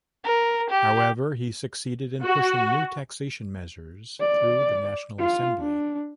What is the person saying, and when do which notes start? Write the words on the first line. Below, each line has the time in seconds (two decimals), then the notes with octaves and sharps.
However, he succeeded in pushing new taxation measures through the National Assembly.
0.24 A#4
0.70 G4
2.22 F#4
4.20 D5
5.18 F4
5.59 D4